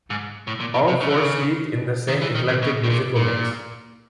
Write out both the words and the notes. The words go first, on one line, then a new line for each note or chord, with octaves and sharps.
All four steeped in the same eclectic musical mix.
G#2
A2
A#2
B2
C3
C#3
D3
C#3
D#3
E3
D#3
C3
B2
A2
A#2
A#2